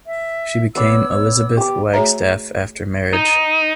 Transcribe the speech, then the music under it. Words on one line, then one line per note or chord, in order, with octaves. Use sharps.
She became Elizabeth Wagstaff after marriage.
E5
B3 C#5 D5 E6
G4 D6
A3 F#4 G#4 C#5 E5 A#5
D#4